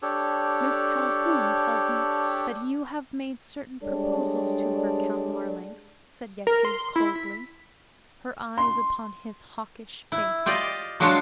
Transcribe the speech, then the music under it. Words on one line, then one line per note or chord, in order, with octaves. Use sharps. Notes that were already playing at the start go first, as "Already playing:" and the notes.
"Miss Calhoun tells me that you have made certain proposals to her, Count Marlanx," said Yetive coldly, her eyes upon his hawkish face.
D4 G4 A4 C#5
G3 G#3 D4 A4 C#5 D5
A#4
C6
E4
B6
C6
E4
F4 G4 D5 D#5
F3 F#3 G#3 D4 F4 F#4